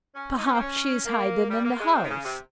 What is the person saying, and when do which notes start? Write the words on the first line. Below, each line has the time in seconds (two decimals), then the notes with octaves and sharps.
"Perhaps she is hiding in the house."
0.14 C#4
0.38 D#4
0.45 C#4
0.52 C4
0.60 C#4
1.05 A#3
1.50 G3
1.64 A#3
1.80 G#3
1.95 C3
2.03 D#3
2.09 C#3
2.24 C3